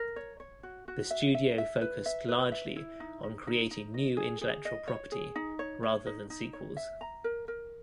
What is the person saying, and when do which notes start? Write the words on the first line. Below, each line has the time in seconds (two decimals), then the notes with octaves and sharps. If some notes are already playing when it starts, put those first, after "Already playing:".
The studio focused largely on creating new intellectual property rather than sequels.
Already playing: A#4
0.16 C#5
0.40 C#5
0.63 F#4
0.88 F#4
1.10 E5
1.35 E5
1.58 E5
1.81 B4
2.06 E5
2.28 B4
2.52 E5
2.76 E4
3.00 D#4
3.23 D#4
3.47 D#4
3.71 D#4
3.94 D#5
4.17 G#4
4.41 G#4
4.65 D#5
4.88 C#5
5.12 G#4
5.36 D#4
5.59 C#5
5.83 C#5
6.06 D#4
6.30 D#4
6.53 C#5
6.77 E5
7.01 A#5
7.24 A#4
7.48 A#4